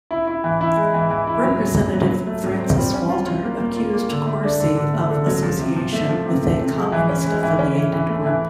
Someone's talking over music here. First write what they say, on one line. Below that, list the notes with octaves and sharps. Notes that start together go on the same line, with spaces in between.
Representative Francis Walter accused Corsi of association with a Communist-affiliated group.
E4
E4
E3
E4
G#3
E3
E3
E4
F#3
F#3
F#3
F#3
F#3
A3
F#3
C4
G3
C#4
F4
F4
A#3
A#3
F4
A#3
D3
A3
D4
D3
D3
A3
D3
F#3
F3
C3
F3
A3
F3
C3
A3
C3
G#3
E3
C#4
G#3
E3
C#4
E3
E3
A3
E3